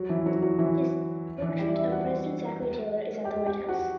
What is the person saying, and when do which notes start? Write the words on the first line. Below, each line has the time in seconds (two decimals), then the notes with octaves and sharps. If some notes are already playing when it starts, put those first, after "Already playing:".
His portrait of President Zachary Taylor is at the White House.
Already playing: F#3 F#4
0.09 E3 E4
0.26 F#3 F#4
0.42 F#3 F#4
0.58 E3 E4
1.42 E3 E4
1.59 G3 G4
1.75 E4 E5
1.91 F#4 F#5
3.24 G4 G5
3.47 G4 G5
3.68 F#4 F#5